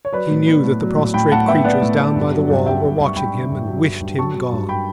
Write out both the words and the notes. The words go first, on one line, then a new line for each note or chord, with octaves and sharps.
He knew that the prostrate creatures down by the wall were watching him and wished him gone.
C#5
F#3 B4 D5
A2
B3
A2
F#3
A2
A2 G5 B5
A2 F#5 A5
B3 E5 G5
B3 D5 F#5
A2
B3
G2
F#3
G2
G2 E5 G5
G2
G2
C#6
G2 G5 B5
D3
G2
F#3
F#3
G2
F#3 A5 C#6
F#3
G2
G5 B5